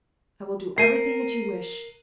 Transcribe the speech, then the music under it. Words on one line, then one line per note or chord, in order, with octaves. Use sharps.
"I will do everything that you wish!"
A#4 C7 D#7